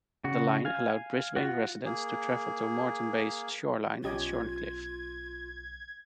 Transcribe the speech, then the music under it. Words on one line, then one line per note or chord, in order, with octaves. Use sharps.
The line allowed Brisbane residents to travel to Moreton Bay's shoreline at Shorncliffe.
C#3 F#4
F5 G#5
F4 F#4
A#3 G#4
B1 C#4 F4 G4 D#5 G#6